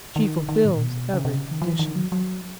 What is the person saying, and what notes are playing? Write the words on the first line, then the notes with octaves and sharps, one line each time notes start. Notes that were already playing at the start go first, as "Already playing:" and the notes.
"She fulfils every condition."
D#3
D#3
A2
A#2
B2
C#3
C3
C#3
F3
E3
D#3
F#3
F#3